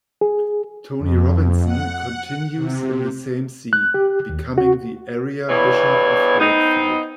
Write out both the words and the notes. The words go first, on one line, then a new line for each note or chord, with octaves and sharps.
Tony Robinson continues in the same See, becoming the area Bishop of Wakefield.
G#4
F2
F#5
C3
F#6
G4
D#2
F#4
E2 G2 E3 B3 C#5
B3 C4 D#4